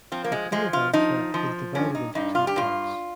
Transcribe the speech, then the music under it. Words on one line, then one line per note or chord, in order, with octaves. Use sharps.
The Culavamsa is divided into two parts.
F3 C4
A#3
G#3
F3 G#3
F4
F3 D#4
F3
G2 C#4
D#4
G2 D#4
F4
G4
G2 F4